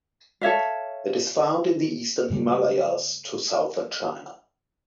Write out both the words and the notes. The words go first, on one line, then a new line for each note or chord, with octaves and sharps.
It is found in the eastern Himalayas to southern China.
A4 C#5 E5 F5
G2 C#3 G3 A3